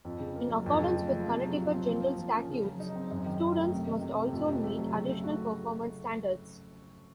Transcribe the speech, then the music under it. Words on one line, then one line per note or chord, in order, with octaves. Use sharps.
In accordance with Connecticut General Statutes, students must also meet additional performance standards.
F2
C#3
A#3
F#3
F2
C#3
A3
F3
C3
F#3
F4
C4
F3
A#3
F3
C#4
C#3
F#3
D#4
C4
F#2
D#3
D#4
A3
C3
D#3
C3
A3
F2
C3
A3
F#3
C#3
A3
F#4